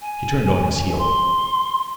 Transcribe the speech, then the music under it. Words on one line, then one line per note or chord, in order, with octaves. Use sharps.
He turned on his heel.
G#5
C6